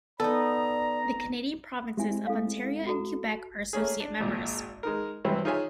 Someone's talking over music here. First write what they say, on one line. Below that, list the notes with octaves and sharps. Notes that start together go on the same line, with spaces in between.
The Canadian provinces of Ontario and Quebec are associate members.
B3 D#4 A4 D5 A#5
G#3 C4 E4 G4 E5 G#5
A4 F5
F#4 A4 A#5
A3 A#3 C#4 G#4
D4
G#1 A#2
G#3 D#4 A#4
G2 C3 E3 F#3 C4
D#4 F4 G#4 C#5 E5 G#5